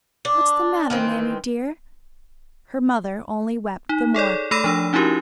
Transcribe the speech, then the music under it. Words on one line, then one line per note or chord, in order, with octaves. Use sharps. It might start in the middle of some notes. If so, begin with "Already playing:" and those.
What's the matter, mammie dear?' her mother only wept the more.
D4
D#3 E3 C4
D#4
G#4 A4 C#5 D5
A3 A4 B5 E6 A#6 D#7
F3 D4 E6
C#4 D#4 E4 F#4 G4 A#4